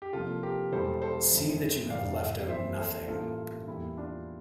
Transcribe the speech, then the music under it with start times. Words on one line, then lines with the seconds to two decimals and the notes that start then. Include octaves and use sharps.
See that you have left out nothing.
0.02 G4
0.13 C2 C3 F3 A#3 F4 A4
0.43 G4 A#4
0.72 E1 E2 E3 G3 A4 C5
1.02 A4 C5
1.31 G1 F2 E3
1.90 F1 F2 E3 D5 F5
2.49 F2 E3 A#3 C5 E5
2.79 A4 C5
3.08 A1 G2 E3 A#3 F4 A4
3.67 E2 E3 G3 A#3 E4
3.97 D4 F4